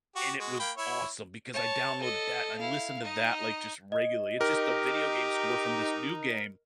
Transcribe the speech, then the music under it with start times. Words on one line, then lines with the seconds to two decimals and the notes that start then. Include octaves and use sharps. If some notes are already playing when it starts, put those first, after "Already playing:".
and it was awesome because I downloaded that and I listened to that, like, just regularly. It's just a video game score from this new game,
0.16 F#4 G4
0.39 G#3 F#4
0.60 A#3 G5 B5
0.77 E4 C#5
1.54 C#5 A5
2.02 A4 D#5
2.58 E4 F5
3.03 D#4 D#5
3.92 D#5
4.41 D#4 G4 A#4